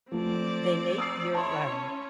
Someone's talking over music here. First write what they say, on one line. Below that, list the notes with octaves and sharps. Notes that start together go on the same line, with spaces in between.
They mate year round.
F3 A3 C4 D5
D#6 E6 C7
E4 C#5 A5 C6
C#4